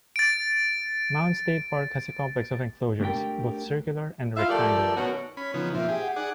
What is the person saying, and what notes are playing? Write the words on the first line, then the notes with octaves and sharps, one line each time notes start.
Mounds State Park has a complex of enclosures, both circular and rectangular.
A6 D7
A3 D4 G4 A#4 G5
E4 F4 E5 F5
F3 A3 G4 A4 A#4 D5
F#2 B2 D#3 C#4 F#4
C#4 B5
C#3 F3 B3 D#4
A#2 F3 C4 E5
G4 G#4
F#5
D#4 G#4 D5 F#5